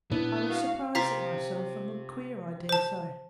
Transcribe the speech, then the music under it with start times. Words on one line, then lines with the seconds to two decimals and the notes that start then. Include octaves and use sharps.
I was surprised at myself, and looked queer I daresay.
0.11 A#2 B3 D4 E4
0.49 F#4 F5
0.95 C3 F4 G4 F5 A#5 B6
2.69 C5 A5